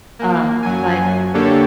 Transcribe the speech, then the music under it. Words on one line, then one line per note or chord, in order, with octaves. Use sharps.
Um, but
A#3
F#2 F#3 G#5
D3 A#3 D4 G4 A4 C#5